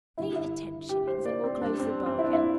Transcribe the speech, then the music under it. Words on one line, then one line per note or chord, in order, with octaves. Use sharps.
Say the ten shillings, and we'll close the bargain.
G2 D3 G3 E4
E4
G4
C5
D5
C4
G2 G3 D4
C4
C4
E4
D4
E4